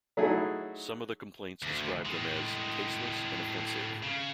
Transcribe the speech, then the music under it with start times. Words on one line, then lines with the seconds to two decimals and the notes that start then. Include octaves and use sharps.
Some of the complaints described them as "tasteless and offensive".
0.17 F#3 A3 D#4 E4 F#4 G#4
1.62 D2
2.05 A2 G#3
4.03 C#3